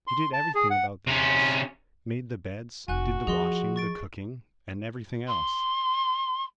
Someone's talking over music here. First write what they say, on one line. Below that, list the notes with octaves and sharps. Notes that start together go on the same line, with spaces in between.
She did everything about the house,--made the beds, did the washing, the cooking, and everything else.
C6
A5
G#4
F#5
C3 C#4
F1 F#4 G#5 F#6
F3 G#4 D#5 C6
C#6 A6 D7
C6